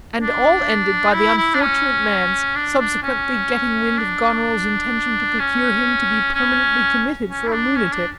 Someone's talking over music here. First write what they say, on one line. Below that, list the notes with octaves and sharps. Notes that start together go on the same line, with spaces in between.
And all ended by the unfortunate man's subsequently getting wind of Goneril's intention to procure him to be permanently committed for a lunatic.
D4
E4
E4
D4
C#4
D4
D4
C#4
D4
C#4
C#4
C#4
E4
D4
C#4
D4